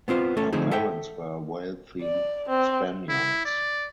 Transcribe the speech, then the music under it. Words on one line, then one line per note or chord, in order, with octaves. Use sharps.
Her parents were wealthy Spaniards.
B3 C4 F4 C5
A3 C#4 A4
D3 F3 A3 C4 D#4 G#4
A4 E5 F#5 G5
D5
C4
E4
D5